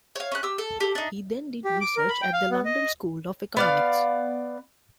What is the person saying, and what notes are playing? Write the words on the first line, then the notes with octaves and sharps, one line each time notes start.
He then did research at the London School of Economics.
C#5 F5
C#4 A#5 F#6
G4 E6
A4
G4 A4
D4 D#4
G4
D6
A#4
B5
G5
F5
B3
D#5
B3 D5 F5